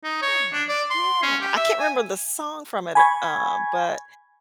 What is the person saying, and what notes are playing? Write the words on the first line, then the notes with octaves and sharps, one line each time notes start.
Yeah, yeah, I can’t remember the song from it uh, but
D#4
C#5
D4
D5
C6
C#4
G4
E5
G#5
G#5 B5 C#6 G#6